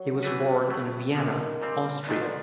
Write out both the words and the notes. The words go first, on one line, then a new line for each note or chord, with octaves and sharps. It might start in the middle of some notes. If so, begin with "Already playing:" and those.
He was born in Vienna, Austria.
Already playing: F#3
E3 A3 D4 F#4 B4
B2 F#3 A3
F#2 D3 D#3 F3
A#2 G3 C4
G#2 D#3 F3 A3 D4
D3